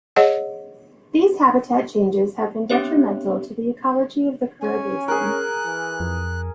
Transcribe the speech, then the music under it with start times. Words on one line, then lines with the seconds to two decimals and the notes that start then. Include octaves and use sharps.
These habitat changes have been detrimental to the ecology of the Kura basin.
0.16 G#4 C#5 D#5 F#5
2.70 B3 C4 D4 G4 C#5 E5
4.61 C#4 G#5
5.08 G#4 A#4 F#6
5.66 E3
6.00 F2